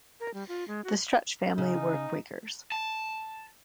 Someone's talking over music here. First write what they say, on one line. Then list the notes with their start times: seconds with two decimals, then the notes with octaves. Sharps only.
The Stretch family were Quakers.
0.20 A#4
0.34 G3
0.49 F4
0.68 G#3
0.85 F#4
1.58 C#3 D#4
2.72 A5